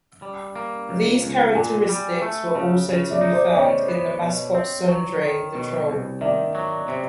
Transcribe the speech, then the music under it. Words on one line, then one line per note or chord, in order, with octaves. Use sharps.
These characteristics were also to be found in the mascot Sondre, the troll.
G3
A#3
C#2
C#2
A#2 F#5 G#5
G3
A3
C#3
C#3
D5 E5
D#4
C5 D5
D5
C#3 C#5 D#5
B3
B2
C4
F#3
D#3
B2
C2
D#3 D5 E5
F#3
C3